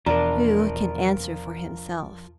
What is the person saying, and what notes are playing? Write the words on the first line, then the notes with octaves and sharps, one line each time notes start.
Who can answer for himself?
E2 B2 F3 D4 F4 A#4 A#5 D6